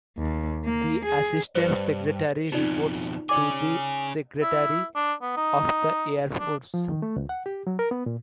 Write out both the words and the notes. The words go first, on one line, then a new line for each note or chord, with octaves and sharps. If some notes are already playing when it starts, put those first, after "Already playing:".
The assistant secretary reports to the secretary of the Air Force.
D#2
A#3
G#4
G2 B4 C5
F2 B2 D#4 F4 D5
C#4 G#4 D5 D6
E4
D4
B3
D#4
D4
F3
D#3
A3
C#2
F#5
G4
F#3
A#4
B3
A#2